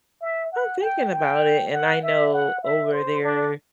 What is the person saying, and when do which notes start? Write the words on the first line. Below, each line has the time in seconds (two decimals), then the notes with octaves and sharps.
I'm thinking about it, and I know over there
0.22 E5
0.52 F#5
0.81 G5
1.12 G5
1.72 F#5
2.03 E5
2.33 F#5
2.63 E5
2.93 C5
3.23 D4